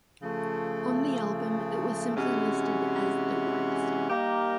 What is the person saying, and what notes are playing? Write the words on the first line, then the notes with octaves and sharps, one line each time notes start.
On the album, it was simply listed as The Right Stuff.
C#3 F3 A3
C3 E3 G#3 C#4 F#4
G3 A#3 D#4 G4 A#4